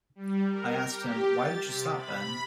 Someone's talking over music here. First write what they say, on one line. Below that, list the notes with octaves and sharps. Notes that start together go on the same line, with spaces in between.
I asked him, 'Why did you stop, Ben?
G3
A#4
G4
A6
C3
B5